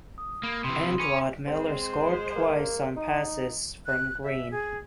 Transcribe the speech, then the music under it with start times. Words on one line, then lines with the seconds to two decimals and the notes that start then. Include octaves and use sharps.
End Rod Miller scored twice on passes from Green.
0.18 D#6
0.43 A#3 B5 G#6
0.64 C3 E3 C6
1.00 C#4 B5 D6 F7
1.47 G#3 C4 C5
2.36 A#3
2.97 D#4
3.86 F#6
4.23 E5
4.51 G#4